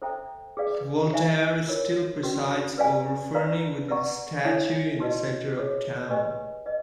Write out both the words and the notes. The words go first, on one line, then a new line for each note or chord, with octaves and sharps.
Voltaire still presides over Ferney with his statue in the center of town.
A4 C5 E5 G5 A#5
G#4 B4 D5 F5
C5 E5 G#5
F4 A#4 C#5
C#4 F#4 B4
B4 D5 F5 G#5
B4 D5 F5 A#5
B4 D5 F#5 A#5 C#6
E4 A4 C#5 E5 G#5
D#4 F#4 B4 D#5
F4 G#4 C#5
G4 B4 D#5 G#5
B4 D#5